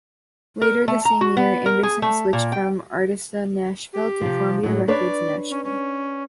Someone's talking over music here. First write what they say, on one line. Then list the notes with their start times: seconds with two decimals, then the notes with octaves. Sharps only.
Later the same year, Anderson switched from Arista Nashville to Columbia Records Nashville.
0.62 A#4
0.88 A3
1.05 A#5
1.21 F#4
1.37 B3
1.66 A#4
1.83 G#4
2.02 A3
2.33 A#2
2.52 G5
3.93 G4
4.21 C3 F3
4.63 A2 F#3
4.88 D4 B4 C#5 D5
5.51 C#4
5.64 C#4